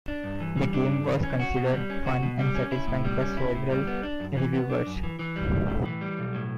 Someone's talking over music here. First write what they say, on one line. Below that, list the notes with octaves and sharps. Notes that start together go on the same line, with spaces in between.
The game was considered fun and satisfying by several reviewers.
D4
G2
E3
G3
D4
G2
E3
C#4
F#4
B2
G3
C#4
F#4
B2
G3
C#4
E4
A2
G3
C#4
E4
A2
G3
B3
D4
F#2
E3
B3
D4
F#2
E3
E3
G3
B1
A2
E3
G3
B1
A2